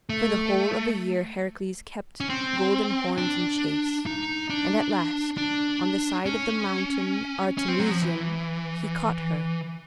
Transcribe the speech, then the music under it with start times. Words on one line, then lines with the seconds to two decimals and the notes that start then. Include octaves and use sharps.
For the whole of a year Heracles kept Golden Horns in chase, and at last, on the side of the Mountain Artemision, he caught her.
0.09 A3
2.20 C#4
2.30 C4
3.18 D4
4.06 D#4
4.50 D4
5.37 D4
6.26 C#4
7.58 C#4
7.68 C4
7.80 F#3
7.91 F3
8.02 E3